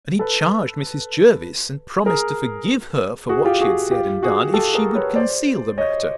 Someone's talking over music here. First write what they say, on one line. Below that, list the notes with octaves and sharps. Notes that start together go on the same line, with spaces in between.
And he charged Mrs. Jervis, and promised to forgive her for what she had said and done, if she would conceal the matter.
A4 B4
G#4 A#4
F#4 G#4
F4 G4
F#4 G#4
F4 G4
F#4 G#4
G4 A4
G#4 A#4
B4 C#5
C5 D5
C#5 D#5